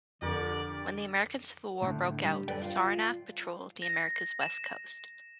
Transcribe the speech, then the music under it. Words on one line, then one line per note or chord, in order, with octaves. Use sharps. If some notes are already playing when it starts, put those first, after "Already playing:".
When the American Civil War broke out, "Saranac" patrolled America's West Coast.
F2 D3 G4 A#4 D5 C#6
A2 D3
G3
F#2 A4 B4 D5 G5
F4
A#6
E7